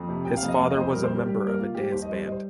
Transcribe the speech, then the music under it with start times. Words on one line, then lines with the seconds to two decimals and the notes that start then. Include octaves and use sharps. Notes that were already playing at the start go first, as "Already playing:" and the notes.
His father was a member of a dance band.
Already playing: F2
0.09 C3
0.25 C3 G5
0.37 F5
0.42 F2
0.48 D#5
0.58 F2 F5
0.71 F2 D#5
0.81 C5
0.93 G3 A#4
1.04 C5
1.09 G3
1.15 A#4
1.26 G3 G4
1.36 G4
1.42 A#3
1.47 A#4
1.59 A#3 F4
1.75 G3 G4
1.91 D#2 C5
2.02 D#5
2.09 G3 C5
2.23 G3 D#5
2.32 C5